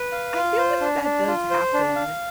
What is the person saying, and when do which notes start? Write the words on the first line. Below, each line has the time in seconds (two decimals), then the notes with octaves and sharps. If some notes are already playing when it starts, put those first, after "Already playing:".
I feel like that does happen
Already playing: B4
0.12 F5
0.36 F4
0.58 C5
0.81 D4
1.04 D4
1.28 F4
1.51 C5
1.74 D4
1.96 F5